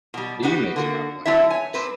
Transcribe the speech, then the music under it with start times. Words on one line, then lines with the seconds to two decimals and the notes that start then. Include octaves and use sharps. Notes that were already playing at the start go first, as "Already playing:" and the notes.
Are you making that whining noise?
0.14 B2 G3
0.43 G3 B3 D#4 F#4 G4
0.76 D3 A#3 F#4
1.25 D3 F#3 C4 D4 E4 E5
1.50 C#5 G#5
1.74 G2 C4 B4